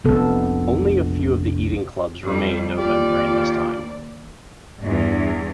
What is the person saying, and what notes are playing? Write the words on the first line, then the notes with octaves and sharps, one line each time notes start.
Only a few of the eating clubs remained open during this time.
F1 A#1 C3 B3 A4
F2 G3
D#2 F4 G4 D5
E2 G2